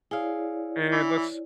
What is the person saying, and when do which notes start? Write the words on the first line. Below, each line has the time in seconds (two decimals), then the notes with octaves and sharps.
And let's
0.11 E4 G#4 C#5 D5 F5
0.92 E3